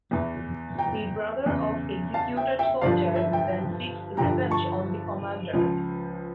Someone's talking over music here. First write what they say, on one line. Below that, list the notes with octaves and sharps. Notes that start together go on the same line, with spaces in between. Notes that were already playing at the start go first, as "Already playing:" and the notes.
The brother of executed soldier then seeks revenge on the commander.
E2 E3
G5 A#5
E2 C#3 E3
F5 A5
E5 G5
E5 G5
G1 G2 D3 F3 D5 F5
E5
E5 G5
G1 G2 D3 F3 G5 A#5
A5 C#6
C#2 C#3 F3